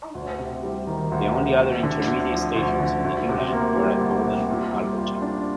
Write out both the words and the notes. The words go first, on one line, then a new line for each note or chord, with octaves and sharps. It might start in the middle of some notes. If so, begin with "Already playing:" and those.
The only other intermediate stations on the new line were at Bowden and Alberton.
D2
C3
G3
D#3
D2
C3
D2
D3
D2
F3
D2
D3
D2
C3
A#3
G3
D2
C3
A#2
G3
F4
D4